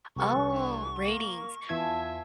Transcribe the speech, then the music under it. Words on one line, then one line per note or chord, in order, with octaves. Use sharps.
Oh, ratings.
C2 G4 A4 B4 F#5 C#6
A2 D3 E3 D4
A#3 A#4
E2 E3 F4 E5 G#5 A5 G#6